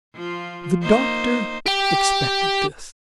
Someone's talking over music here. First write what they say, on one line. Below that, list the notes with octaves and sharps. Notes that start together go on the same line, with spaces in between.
The doctor expected this.
F3 F4
A#3 D#4 C5
G4 G5